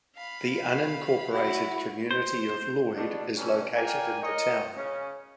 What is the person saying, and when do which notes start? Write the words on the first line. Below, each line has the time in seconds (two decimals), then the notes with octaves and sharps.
The unincorporated community of Loyd is located in the town.
0.16 F5 B5
1.32 E4 F#4 C#5 B5
2.11 C5
2.94 B2 D4
3.37 C3 E3 F3 G3 C#4
3.76 A#4 D5 F5 G5 G#5
4.22 A#4 C#5 D#5
4.76 C#3 C#4